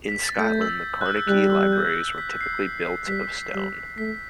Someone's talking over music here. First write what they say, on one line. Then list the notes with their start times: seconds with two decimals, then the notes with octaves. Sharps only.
In Scotland the Carnegie libraries were typically built of stone.
0.09 B6
0.23 A6
0.38 A3 G6
0.61 E6
1.01 F#6
1.06 E6
1.17 E6
1.28 G3 F#6
1.50 E6
1.72 G6
2.18 B6
2.41 C7
3.08 G3 B6
3.53 G3
3.98 A3 B6